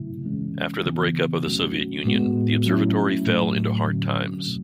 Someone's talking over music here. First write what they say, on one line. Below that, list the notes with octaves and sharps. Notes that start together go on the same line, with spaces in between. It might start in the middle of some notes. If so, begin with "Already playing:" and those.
After the breakup of the Soviet Union, the observatory fell into hard times.
Already playing: C#3 F#3 A3 E4
E3 G#3 C#4
C#3 E3 B3
F#3 A3 C#4 F#4
A2 G#3 B3 F#4
F#3 A3 C#4 E4
A2 F#3 A3
D3 F#3 C#4
B2 F#3 A3